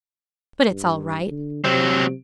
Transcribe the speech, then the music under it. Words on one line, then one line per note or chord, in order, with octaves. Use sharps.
But it's all right.
G2
D3
C3 F#3 C4